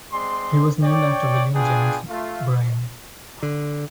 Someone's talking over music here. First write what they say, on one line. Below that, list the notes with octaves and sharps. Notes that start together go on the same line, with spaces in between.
He was named after William Jennings Bryan.
G#3 C4 D5 C6
C#5 D5 G5
B3 D4 F4 G#4 G5 G#5
A3 F4
D3